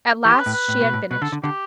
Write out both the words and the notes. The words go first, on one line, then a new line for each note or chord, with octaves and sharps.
At last she had finished.
E3 G4
B4
A2
B4
A2
B2
A2
B2 B4
D3 A4
D3
D3 G4